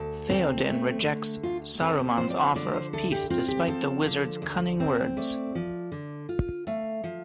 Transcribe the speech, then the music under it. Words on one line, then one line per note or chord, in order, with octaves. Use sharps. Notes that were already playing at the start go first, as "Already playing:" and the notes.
Théoden rejects Saruman's offer of peace despite the wizard's cunning words.
Already playing: D2 A4
C4
A3
D3
D2 F4
C4 A4
G4
F3 C5
D5
C5
D3 D5
C5
D2 A4
G4
C4 F4
G4
F3 A4
D3
D2
C4
A3 D5
F3
D3
F4
A3 F5
F3